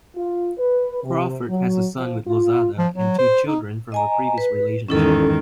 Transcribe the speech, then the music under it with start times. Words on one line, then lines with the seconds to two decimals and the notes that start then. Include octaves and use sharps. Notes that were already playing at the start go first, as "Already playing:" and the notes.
Crawford has a son with Lozada and two children from a previous relationship.
0.16 F4
0.58 B4
1.04 C3
1.49 F#3
1.96 F3
2.27 F4
2.78 F3
2.94 F#3
3.19 C5
3.48 D#4
3.92 D#5 G#5 A#5
4.38 B4
4.88 E2 G#2 D#3 C#4 E4 A4